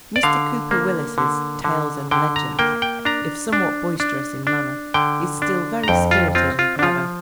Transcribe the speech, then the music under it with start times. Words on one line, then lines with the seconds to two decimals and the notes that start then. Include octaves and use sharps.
Mr. Cooper Willis's Tales and Legends, if somewhat boisterous in manner, is still very spirited and clever.
0.16 D5
0.23 D3 F5
0.71 A#3
1.18 D3
1.64 D3
2.11 D3 G5
2.36 A#5
2.59 A#3 G5
2.82 G5
3.05 D4 A#5
3.53 D4
4.00 D4
4.47 D4
4.94 D3 G5
5.42 D4
5.83 A#5
5.88 F2 G5
6.11 F4
6.35 C4 F4
6.59 F4
6.79 D4
6.83 F3 F4